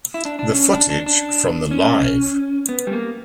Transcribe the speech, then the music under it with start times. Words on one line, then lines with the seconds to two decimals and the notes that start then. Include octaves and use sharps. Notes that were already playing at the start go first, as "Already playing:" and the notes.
The footage from the Live!
0.14 E4
0.25 D4
0.39 D4
0.50 C#4
0.73 D4
0.90 D4
1.06 D4
1.71 C#4
2.69 B3
2.87 G3
2.93 A#3